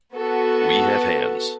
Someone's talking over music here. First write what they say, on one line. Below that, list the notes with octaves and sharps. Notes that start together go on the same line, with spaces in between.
We have hands.
B3 F#4 A4